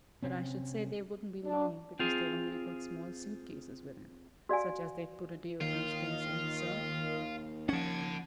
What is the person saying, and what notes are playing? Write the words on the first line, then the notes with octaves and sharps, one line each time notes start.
"But I should say they wouldn't be long because they'd only got small suit-cases with them--such as they'd put a day or two's things in, sir."
C3 C4 C#4
D4
C4 F4 G#4
F#4 D5 F5 G#5
D#2 D#3 F4
F3 C#4 F#5 A5 G#6